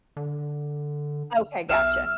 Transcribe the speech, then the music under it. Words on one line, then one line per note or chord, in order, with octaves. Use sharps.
Okay, gotcha.
D3
B1 E5 E6 F6 E7